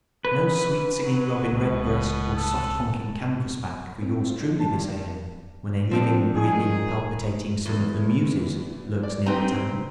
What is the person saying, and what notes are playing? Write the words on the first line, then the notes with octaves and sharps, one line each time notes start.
No sweet-singing robin-redbreast or soft-honking canvasback for yours truly this A.M., when a living, breathing, palpitating son of the Muses lurks near at hand.
G#2 B4
F#3
C#2 B2
A4
C4
F4
D#4
A5
G2
F3 C4 D4
D#3 G#4
E2
D5
C4 D#4 G4 B4 A#5